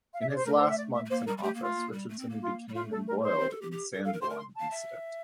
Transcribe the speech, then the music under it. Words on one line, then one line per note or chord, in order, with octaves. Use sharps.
In his last months in office Richardson became embroiled in the Sanborn incident.
F5
E5
D5
C5
A3 A#4
A#4
C5
E5
D5
E5
A3
A#3 C5
G3 A#4
G3
A3 G4
A#3
A3 F4
A#3
G3
A3
C4
A#3
F4
G3
A3 F4
A4
A#4
C5
D4
C4
A4
G4
G4
A4
A4 F5
A#4
C5 C6
A#4
C6
A5
F5
E5